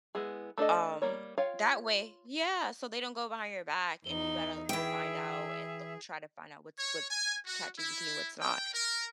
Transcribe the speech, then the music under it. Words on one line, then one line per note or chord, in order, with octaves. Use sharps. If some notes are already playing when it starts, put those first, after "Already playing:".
Um, that way Yeah, so they don't go behind your back, and you gotta go find out and look try to find out what's what's ChatGPT and what's not,
G#3 B3 E4 G#4
A3 D4 A4 D#5
G3 A#3 C#5
F4 C#5 F5 G5
E2 D#4 G7
E3 G#4 E5 G5
C#5
G#5
F#4
E4
G5
A#4